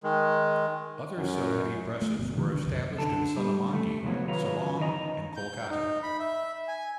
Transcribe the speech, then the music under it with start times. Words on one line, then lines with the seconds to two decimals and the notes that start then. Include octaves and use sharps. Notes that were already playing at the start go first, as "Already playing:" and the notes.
Other Sylheti presses were established in Sunamganj, Shillong and Kolkata.
0.03 D#3 G#3
1.17 F#2
2.02 A3
2.19 G1 B2
2.37 B2 D#3 F3
2.53 D3
2.66 C2 F#2
2.98 D3 A4
3.37 G3
3.73 A3
4.03 G#2 C3 F3 F#3 B3 C#5
4.27 D#3 F#3 F4 B4 C#5 A#5
4.80 E2 D#3 D#5 A#5
5.36 G6
5.70 D#4
6.03 B5
6.20 E5
6.68 G#5